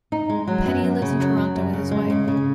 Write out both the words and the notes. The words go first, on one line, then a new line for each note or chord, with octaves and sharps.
Peddie lives in Toronto with his wife.
D#4
G#3
F#3
F#2
F#2
C#3
F#3
F#2
F#2
C#3
G#3
C#3
C#3